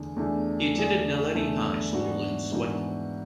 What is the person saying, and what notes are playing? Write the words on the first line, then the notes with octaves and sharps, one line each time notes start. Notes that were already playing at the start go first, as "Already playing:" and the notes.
He attended Naledi High School in Soweto.
Already playing: E2 D3 A3 D4 G#4
E2 D3 A3 D4 G#4
E2 D3 A3 D4 G#4
E2 D3 A3 D4 G#4
G#2 E3 B3 D4 F#4
G#2 E3 B3 D4 F#4